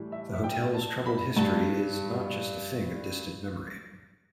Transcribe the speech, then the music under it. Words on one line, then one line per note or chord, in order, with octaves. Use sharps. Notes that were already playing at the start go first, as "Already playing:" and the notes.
The Hotel's troubled history is not just a thing of distant memory.
Already playing: A2 E3 G3
E5
E5
G5
A5
B5
G2 G3 A5